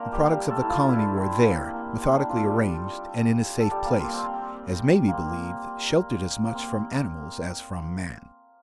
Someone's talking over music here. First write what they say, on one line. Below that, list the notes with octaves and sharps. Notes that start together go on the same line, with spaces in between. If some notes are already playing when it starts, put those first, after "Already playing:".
The products of the colony were there, methodically arranged, and in a safe place, as may be believed, sheltered as much from animals as from man.
Already playing: A#3 C4 D4 F4 A#4 C5
G3 G4
G3 G4
A3 A4
E4
F3 F4
E4
D4
E4
C4
A#3
A#3
C4
D4
F3 F4
A4
G3 G4
A4
G3 G4
A#3
C4
C4
A#3 C4
A#3
C4